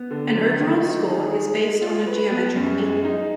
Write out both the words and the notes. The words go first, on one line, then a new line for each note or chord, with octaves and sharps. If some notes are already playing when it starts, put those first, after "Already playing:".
An overall score is based on a geometric mean.
Already playing: B3
D3
F#3
D#3
D#4
G#4
G#3
G#3
F4
B4
B3
F#2
G#3
D#4